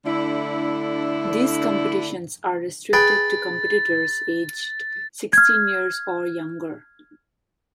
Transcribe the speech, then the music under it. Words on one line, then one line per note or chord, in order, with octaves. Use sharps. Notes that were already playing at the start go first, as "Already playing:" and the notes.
These competitions are restricted to competitors aged sixteen years or younger.
D3 A3 D4 E4
G#4 B4 G5 A6
F6 G#6